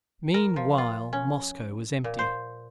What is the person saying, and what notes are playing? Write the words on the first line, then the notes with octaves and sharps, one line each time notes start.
Meanwhile Moscow was empty.
A#4
F3
F4
C#4
A#2
C5